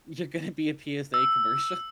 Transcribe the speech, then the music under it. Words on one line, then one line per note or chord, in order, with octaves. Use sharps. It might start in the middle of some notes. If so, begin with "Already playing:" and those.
You're gonna be a PSA commercial.
E6